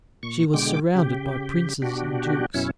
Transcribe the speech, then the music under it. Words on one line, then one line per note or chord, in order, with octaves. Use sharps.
She was surrounded by princes and dukes.
A#2 C#6
B2 D3 G#3 G5 D6
C#3 G4
B2 D4 F#4 G4
F#2 B2 C#4 E4